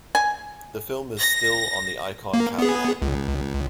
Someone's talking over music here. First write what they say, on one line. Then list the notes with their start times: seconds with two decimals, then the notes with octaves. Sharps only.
The film is still on the Icon Catalogue.
0.15 G#5
1.20 A#6
2.34 A#3
2.58 B3 G#4
3.02 C#2